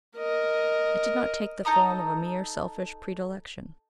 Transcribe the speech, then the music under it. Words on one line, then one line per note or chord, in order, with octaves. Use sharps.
It did not take the form of a mere selfish predilection.
A#4 D#5
D#4 A4 A#5 D#6